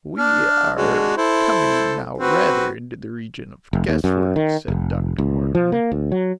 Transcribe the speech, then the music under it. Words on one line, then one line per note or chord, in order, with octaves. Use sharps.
"We are coming now rather into the region of guesswork," said Dr. Mortimer.
D4 F6
G#3 D4 F#4
E4 A4 C5
C4 F#4 B4
F1
D#2
F#2
D#3
F1
C#2
F3
A#3
D2
F#3